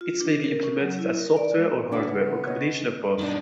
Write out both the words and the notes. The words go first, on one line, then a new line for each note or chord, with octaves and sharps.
It may be implemented as software or hardware or combination of both.
F4
D4
A#4
C#4
F#3
E4
A#4
D5
G#3
C#3 B3 D4 E4 F#4 D6
C#5 D#5
G2 B2 D#3 D4